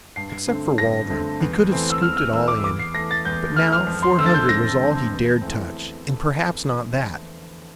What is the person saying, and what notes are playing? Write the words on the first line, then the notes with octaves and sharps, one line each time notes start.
Except for Waldron he could have scooped it all in; but now four hundred was all he dared touch,--and perhaps not that.
G2 C7
D3 A3 C4
G2 A#6
D3 A3 C4
E2
E3 A3 C4
E6
E2 F6
F6
E3 A3 C4 E6
D6
E2 D6
C7
E3 A3 A#6
A6
E2 G6
E3 A3 F6
F6
F2
C6
D3 A3 C4 E6
A6
G6
F2 A#6
D3 A3 C4
E2
E3 A3 C4